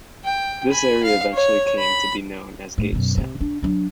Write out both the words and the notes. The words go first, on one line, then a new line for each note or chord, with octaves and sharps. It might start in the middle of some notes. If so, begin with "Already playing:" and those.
This area eventually came to be known as Gagetown.
G5
G#5 B5
F5
C#5
B5
A2
F#2 B2
C3
D4
F#3 D4